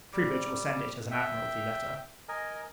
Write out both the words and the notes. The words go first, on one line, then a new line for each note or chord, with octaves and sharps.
Troubridge will send it, as an Admiralty letter.
G3 D6
E5 G5
A#4 D#5 G#5